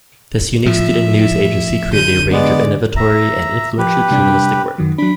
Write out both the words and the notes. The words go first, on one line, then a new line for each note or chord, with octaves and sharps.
This unique student news agency created a range of innovatory and influential journalistic work.
A2 F3 E5
D3 G6 D#7
G#3 B3 D5
E5 A#5
F3 G4 B4
C3 G3 D4
F#2 D#3 F#3
F#3 D4 B5